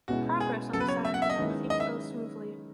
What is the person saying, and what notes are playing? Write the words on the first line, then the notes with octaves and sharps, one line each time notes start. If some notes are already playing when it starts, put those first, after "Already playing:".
Progress on the Saturn design seemed to go smoothly.
B2 G#3 C#4 E4 F#4 G#4
G#4
C#3 F#3 B3 A4
B4
C#5
E5
F#5
E5
D#5
D#3 G#3 C#4 E4 B4
D#5
E5